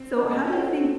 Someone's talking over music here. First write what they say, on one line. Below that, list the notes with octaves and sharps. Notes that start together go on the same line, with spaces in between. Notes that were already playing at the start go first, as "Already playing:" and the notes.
So how do you think
Already playing: C4
C#4 A4 D#5 F#5
C#4
C4 F#4 A4 C#5 F#5 A5